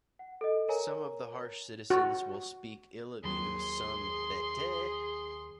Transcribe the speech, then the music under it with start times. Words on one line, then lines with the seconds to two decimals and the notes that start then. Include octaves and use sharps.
Some of the harsh citizens will speak ill of you, some bette.
0.19 F#5
0.41 A4 D#5
0.69 A#4 C#5 G#5 A#5
1.90 F#4
3.24 D#2 F#3 G#4 C6